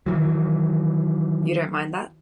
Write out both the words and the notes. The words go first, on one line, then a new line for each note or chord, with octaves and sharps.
You don't mind that?
D#3 E3 F#3